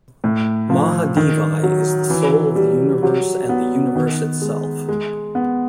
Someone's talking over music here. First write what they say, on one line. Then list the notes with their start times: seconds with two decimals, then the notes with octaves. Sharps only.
Mahadevi is the soul of the universe and the universe itself.
0.24 A2
0.70 F3
1.17 D#3
1.63 F#3
2.10 E3
2.56 G3
3.03 F#3
3.49 B3
3.95 D#3
4.42 G#3
4.88 G#3
5.35 B3